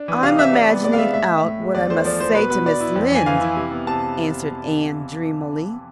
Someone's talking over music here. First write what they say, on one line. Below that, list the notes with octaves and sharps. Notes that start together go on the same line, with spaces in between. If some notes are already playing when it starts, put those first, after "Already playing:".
"I'm imagining out what I must say to Mrs. Lynde," answered Anne dreamily.
Already playing: D4
E3
C3 F5
E3 E5
C3 D5
B3
G#3 D5
F5
G#3 E5
A2 E5
A2
A2
G#3
E2 D5
A3 C5
F3 D5
F3 C5
B2 B4
B2 B4
B3 D5
E4
F2
E3 G#5
E3 F5
E4
C3
B3
C3 A5